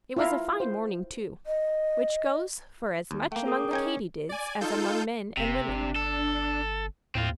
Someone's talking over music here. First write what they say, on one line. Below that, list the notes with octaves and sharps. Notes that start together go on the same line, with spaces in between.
It was a fine morning, too, which goes for as much among the Katy-dids as among men and women.
E4 F4 E5 F5 A#5
C5
D#5
D#2
A3 A#3 G5
G#4 A#4 D#6
D6
C#4 D#4 G5 G#5
D5 G#5
D#4 F4 A4 G6
F1 C3
G1 D4
A4
D#2 A2 C4 F4